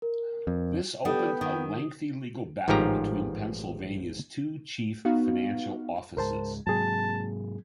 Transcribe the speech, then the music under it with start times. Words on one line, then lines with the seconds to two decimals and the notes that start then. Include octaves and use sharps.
This opened a lengthy legal battle between Pennsylvania's two chief financial offices.
0.02 A#4
0.47 F2
1.05 G3 B3 D4 A4 F#5 G5 D#6
1.41 D#3 D#6
2.68 A1 G#2 D#3 F3 G4 A#5
5.05 B3 D#4 F#4 F5
6.17 C#2 G#2 G#3 A#4 C5 A5
6.67 G#2 C3 F#3 A#3 G#4 A5